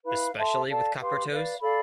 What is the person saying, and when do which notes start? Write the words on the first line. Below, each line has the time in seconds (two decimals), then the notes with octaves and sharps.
Especially with copper toes?
0.04 E4 B4 F5 B5
0.36 A4 E5 A5 C6
0.67 A4 D5 F5 A5
0.98 G4 B4 F5 C6
1.29 B4 D5 F5
1.60 A4 D5 F5 B5